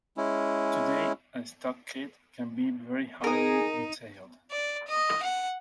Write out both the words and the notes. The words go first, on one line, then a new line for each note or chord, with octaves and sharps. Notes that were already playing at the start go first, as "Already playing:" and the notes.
Today, a stock kit can be very highly detailed.
G#3 C#4 E4
D#4 G#4 A#4 D#6
D5
D#5
F#5